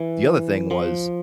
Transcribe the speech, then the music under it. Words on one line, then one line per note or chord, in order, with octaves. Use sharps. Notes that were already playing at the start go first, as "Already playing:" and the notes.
the other thing was
Already playing: E3
F3